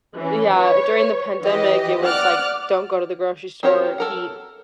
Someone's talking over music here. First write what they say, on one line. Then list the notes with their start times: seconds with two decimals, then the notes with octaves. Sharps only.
Yeah, during the pandemic, it was, like, "Don't go to the grocery store," "Eat
0.16 E3 C#4
0.55 B4 C#5
1.42 E3 G4 D#5
2.04 D5 F#5 D6 F6 F#6
3.63 C4 F#4 G4 A#4 C#5
3.98 A4 A#4 F#5